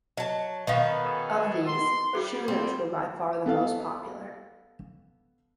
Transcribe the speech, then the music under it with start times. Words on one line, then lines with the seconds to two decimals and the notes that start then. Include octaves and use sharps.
Of these, schooners were by far the most popular.
0.17 F#3 D#5 A5
0.67 B2 D#3 B3 D#5 F5
1.03 C#4 G#4 A4
1.66 C6
2.13 G3 F#4 G#4 C5
2.48 C4
3.46 B3 A4 F5